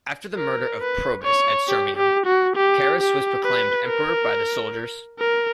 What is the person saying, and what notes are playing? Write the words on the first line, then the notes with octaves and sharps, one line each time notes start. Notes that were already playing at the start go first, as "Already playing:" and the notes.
After the murder of Probus at Sirmium, Carus was proclaimed emperor by the soldiers.
A#4
B4
C#5
G4
G4
F#4
G4
G4
B4
A#4
A#4